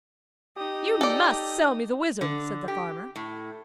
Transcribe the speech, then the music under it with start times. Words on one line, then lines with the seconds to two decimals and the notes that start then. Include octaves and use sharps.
'You MUST sell me the wizard,' said the farmer.
0.57 D#4 G4 D#6
1.01 A4 D5
2.21 D3
2.68 G4
3.16 A2